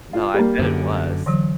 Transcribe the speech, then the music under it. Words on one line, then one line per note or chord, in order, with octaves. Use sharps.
No, I bet it was.
F4
G3 A#3
F#2 D3
D3 E3 F#3